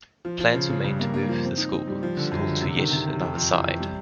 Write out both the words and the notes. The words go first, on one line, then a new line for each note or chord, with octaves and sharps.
Plans were made to move the school to yet another site.
F3
F3
C#3
C#3
G2
A#3
A#3
F3
C4
D#4
D#4
G3
F3
D3
F#2
D3
C3
D#3
C3
C3
F2
F2
E3
C3
G3